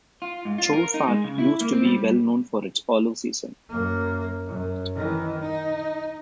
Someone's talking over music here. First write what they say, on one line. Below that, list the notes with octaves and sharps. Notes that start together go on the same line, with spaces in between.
Choueifat used to be well known for its olive season.
F4
G#2
F4
A#4
D#4
G#3
C#3
E4
A#3
C4
G3
F#2 A#3
F#2
D#3 E3
D#4